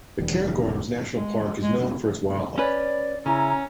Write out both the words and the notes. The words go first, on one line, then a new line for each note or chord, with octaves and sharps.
The Cairngorms national park is known for its wildlife.
E1 D2 E3 G3
G#3
G#3
C#4 B4 D5
C#3 C#4 E4 A#5